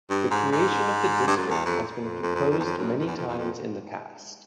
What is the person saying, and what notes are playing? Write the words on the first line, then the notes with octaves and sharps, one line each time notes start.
The creation of the district has been proposed many times in the past.
G2
G#2
G#2
G2
F#2
E2
F2
F2
F2
F2
F2
E2
F2
F#2
F2
E2
F2
E2
F2